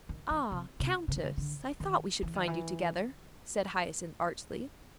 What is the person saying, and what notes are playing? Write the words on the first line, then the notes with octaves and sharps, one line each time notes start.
"Ah, Countess, I thought we should find you together," said Hyacinth archly.
D#3
E3
C3
C3
C#3
D3
C#3
D3
D#3
E3
D#3
E3